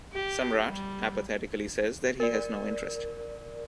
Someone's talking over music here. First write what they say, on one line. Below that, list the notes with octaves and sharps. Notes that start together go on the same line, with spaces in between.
Samrat apathetically says that he has no interest.
G4
G3
A#4 D5